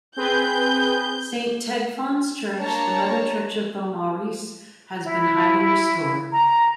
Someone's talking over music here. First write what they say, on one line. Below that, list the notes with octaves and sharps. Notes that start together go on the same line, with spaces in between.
Saint Tegfan's Church, the mother church of Beaumaris, has been highly restored.
C4 G#4 B4 G6
A#3 D4 C#5 A5 A#5
E4
A#5